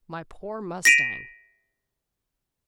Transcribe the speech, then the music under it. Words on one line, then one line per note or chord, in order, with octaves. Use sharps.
"My poor mustang!"
A#6 B6 D7 D#7 F7